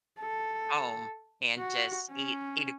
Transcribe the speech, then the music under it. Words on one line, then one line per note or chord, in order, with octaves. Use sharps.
home and just eat eat a
A4
F#4
C#4